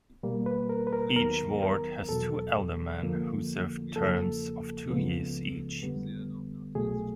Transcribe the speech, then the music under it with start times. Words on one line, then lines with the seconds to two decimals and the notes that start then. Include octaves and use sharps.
Each Ward has two alderman who serve terms of two years each.
0.23 B2 G3 A#3
0.46 B4
0.69 A#4
0.87 B4
0.93 A#4
1.16 D#2 D#3 F#3 B3 A#4
1.62 A#4
2.09 E2 B2 F#3 A4
3.02 F2 D3 F3 A#3
3.96 E2 C#3 F3 A#3 A4
4.89 C#2 C#3 F3 G#3 B3
5.83 F2 D3 G3 B3
6.75 C2 B2 F#3 A3 G#4